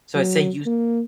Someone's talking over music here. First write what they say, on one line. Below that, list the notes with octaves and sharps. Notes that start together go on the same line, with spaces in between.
So I say use
F#3
A#3